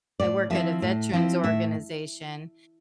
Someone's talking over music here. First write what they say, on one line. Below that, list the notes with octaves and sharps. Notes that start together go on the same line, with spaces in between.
work at a veterans organization,
A2 D5
F3 C4 E4 E5
A2
F3 C4 E4
A2 E5